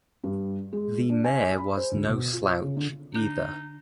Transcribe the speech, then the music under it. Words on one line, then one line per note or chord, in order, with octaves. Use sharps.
The mare was no slouch, either.
G2
G#3
D4
G#5
B5
C5
D2
B2
F4
C#3
D3
D3 D4 D#4 G6